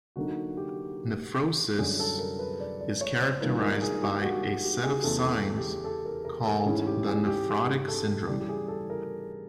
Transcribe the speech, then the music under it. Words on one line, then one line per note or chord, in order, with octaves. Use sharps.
Nephrosis is characterized by a set of signs called the nephrotic syndrome.
D3 F#3 A#3 D#4 F#4
G4
F#2 D3 G3 G#4
A4
A#4
B4
D5
D5
C#5
C5
D#3 G3 A#3 D4 F4 B4
A#4
G#4
G4
F#4
F#4
G4
G#4
E2 C#3 E3 A3 A4
G#4
G4
A4
A#4
A#4
A4
G#2 E3 A3 C#4 E4 G#4
G4
G#4
G4
G#4
A4
C#3 E3 G3 G4
G4
G#4
A4
A#4